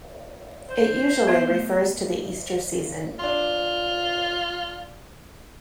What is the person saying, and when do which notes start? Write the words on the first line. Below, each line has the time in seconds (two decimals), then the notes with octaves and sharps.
It usually refers to the Easter season.
0.69 C5
1.27 B3 E5 C6
1.48 A3
3.19 D4 F4 C6